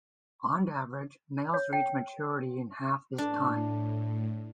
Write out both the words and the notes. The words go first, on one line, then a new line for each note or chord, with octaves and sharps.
On average, males reach maturity in half this time.
C#5
G5
A2 D4